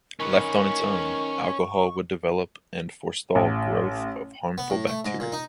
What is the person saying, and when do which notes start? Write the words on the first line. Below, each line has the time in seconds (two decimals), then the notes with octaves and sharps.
Left on its own, alcohol would develop and forestall growth of harmful bacteria.
0.20 D#3 C#4 B4 C#6
3.35 A1
4.58 B3
4.70 A2
4.87 A3
5.05 G#2
5.20 A#2
5.32 D#4